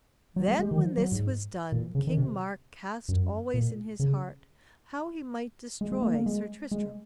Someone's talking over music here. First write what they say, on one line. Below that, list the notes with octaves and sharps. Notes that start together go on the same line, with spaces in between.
THEN when this was done King Mark cast always in his heart how he might destroy Sir Tristram.
F#3
G#3
G#3
D#3
F#3
F3
F#3
G#2
A#2
C#3
D#3
C3
F#2
A#2
C#3
G#3
G#3
A#3
A#3
G#3
G#3